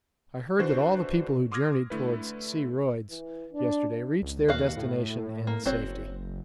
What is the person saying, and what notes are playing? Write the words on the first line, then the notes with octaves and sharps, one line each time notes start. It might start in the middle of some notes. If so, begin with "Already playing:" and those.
I heard that all the people who journeyed towards C. Royds yesterday reached their destination in safety.
D3 E3 D4 F#4 B4 C5
C6 D6 D#6 F6 G#6 A#6
D3 A3 E4 B4
E3
D4
C#2
D#2 F#4 F5
A2
A#3
F#1 C4 F#4 C#5